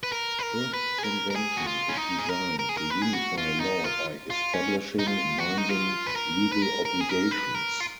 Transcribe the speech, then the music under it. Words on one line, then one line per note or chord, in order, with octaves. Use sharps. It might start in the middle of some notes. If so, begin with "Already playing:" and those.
A convention is designed to unify law by establishing binding legal obligations.
B4
A#4
B4
A#4
B4
G#4
A#4
A#4
G#4
F#4
F4
C#4
D#4
G#4
A#4
A#4
G#4
A#4
B4
G#4
F#4
F4
D#4
F4
F4
C#4
D#4
F4
F#4
D#4
F4
B4
A#4
B4
A#4
A#4
G#4
A#4
B4
A#4
F4